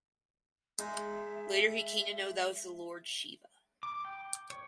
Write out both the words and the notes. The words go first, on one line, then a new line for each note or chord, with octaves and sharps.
Later he came to know that was the Lord Shiva.
G#3 D#4 E5
D6
G5
C#5